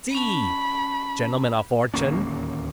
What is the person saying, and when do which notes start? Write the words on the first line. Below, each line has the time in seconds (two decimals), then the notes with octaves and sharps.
Sea! Gentlemen o' fortune!
0.15 C#4 A5 B5
1.94 D1 D#2 A#3 C#4